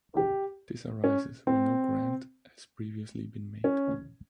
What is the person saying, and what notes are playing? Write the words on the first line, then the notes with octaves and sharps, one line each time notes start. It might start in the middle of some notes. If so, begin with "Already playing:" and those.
This arises where no grant has previously been made.
G4
C#4
C4
C#4